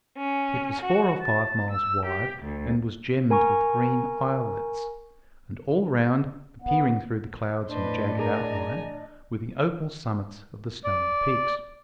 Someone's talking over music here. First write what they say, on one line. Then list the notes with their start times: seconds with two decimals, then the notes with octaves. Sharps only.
It was four or five miles wide, and was gemmed with green islets; and all round, appearing through the clouds in jagged outline, were the opal summits of the snowy peaks.
0.16 C#4
0.81 F#4
1.21 A5
1.71 E6
2.06 G4
2.43 D2
3.30 A#4 G#5 A#5 C#6
6.62 B3
7.68 A2 D4 B4 C5 D5 D#5
8.19 G#4 A#4 G#5 A#5
10.84 D5